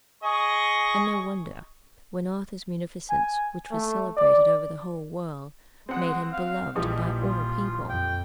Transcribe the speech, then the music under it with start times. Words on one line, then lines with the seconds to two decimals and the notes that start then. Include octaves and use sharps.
And no wonder, when Arthur's munificence, which was celebrated over the whole world, made him beloved by all people.
0.23 G#4 D#5 C#6
3.10 G#5
3.71 A3
4.17 D5
5.89 G#3 C4 F#5
6.32 F5
6.75 A#1 E3 F3 G3 D#5
7.21 F4
7.89 F2 G5